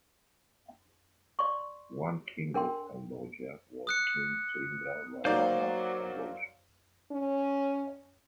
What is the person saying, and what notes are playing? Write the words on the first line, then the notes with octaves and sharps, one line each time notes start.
One king of Kamboja was King Srindra Varmana Kamboj.
D5 C6 C#6
D4 A#4 G5 C6
D#6 F#6 C#7
F#3 A#3 D#4 C5 D5 F5 G6
C#4